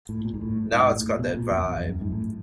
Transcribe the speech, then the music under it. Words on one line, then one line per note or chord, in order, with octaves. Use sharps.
Now it's got that vibe.
A2
A#2
G#2
A2
G#2
G#2
A2
A#2
B2
A#2
F2
E2
F2
F#2
G#2
A2